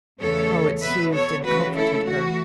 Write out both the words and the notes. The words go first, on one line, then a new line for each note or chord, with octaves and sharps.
How it soothed and comforted her.
E2 C#3 A3 A4 C#5
B2 B3 B4 E5
A4 C#5
C#3 E3 A3 C#4 F#4 B4
E4 A4
E2 E3 A3 F#4